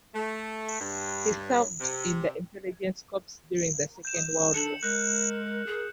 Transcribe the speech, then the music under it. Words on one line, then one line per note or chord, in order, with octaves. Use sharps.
He served in the Intelligence Corps during the Second World War.
A3
G2
C3
G6 E7
D4 A4 C#7 F#7
G#3 A#4 F#6 G6
G#4